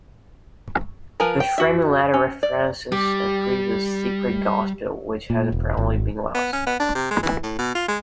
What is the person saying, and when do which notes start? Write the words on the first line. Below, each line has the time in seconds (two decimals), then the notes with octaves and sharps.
This framing letter references a previous "secret gospel", which has apparently been lost.
1.20 F3 A#4 B4 G#5 A#5
1.40 G5
1.58 F#4 E5
2.14 C#4
2.43 D5
2.92 G3 G4
5.30 A#2
5.52 E1
5.77 G#1
6.34 B3
6.53 C#4
6.67 B3
6.80 D4
6.95 C3
7.11 G#3
7.23 E3
7.43 A2
7.59 B2
7.75 F4
7.88 G#3